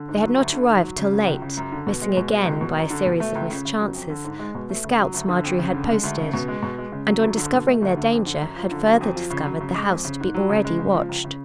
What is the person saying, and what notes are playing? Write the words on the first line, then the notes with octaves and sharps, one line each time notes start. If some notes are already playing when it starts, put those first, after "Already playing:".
They had not arrived till late, missing again, by a series of mischances, the scouts Marjorie had posted; and, on discovering their danger, had further discovered the house to be already watched.
Already playing: D3
G#2
F#3
D2
D3
G#2
F#3
C#3
F#3
C#2
C#3
F#2
D3
B2
G#3
B2
G#3
C#2
B2
F#2
D3
B2
A3
C#2
C#3
C#3
F#3
F2
D3
G#2
G#3
B2
A3
C#3
F#3
D2
D3
F2
C#3
D3
G#3
D2
C#3
B2
G#3
B2
G#3
C#3
F#3
D2
D3
B2
A3
D2
D3
F2
D3
F#2
F3
D3
F#3
F2
F3
C#3
F#3
C#3
G#3
F2
C#3
G#2
F#3
C#3
G#3
C#3
F3
C#2
C#3